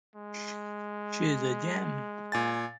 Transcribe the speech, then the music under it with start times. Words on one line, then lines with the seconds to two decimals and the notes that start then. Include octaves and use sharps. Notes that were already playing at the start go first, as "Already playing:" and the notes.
She’s a gem.
0.16 G#3
2.32 A#2 G#5 A6